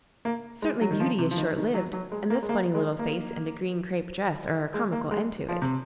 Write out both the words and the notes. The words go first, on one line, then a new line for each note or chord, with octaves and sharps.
Certainly beauty is short-lived, and this funny little face and a green crape dress are a comical end to it.
A#3
G#3
F#3
D#3
F3
C3
F3
D#3
D#3
F#3
F#3
G#3
A#3
G#3
A#3
G#3
A#3
G#3
A#3
G#3
F3
C3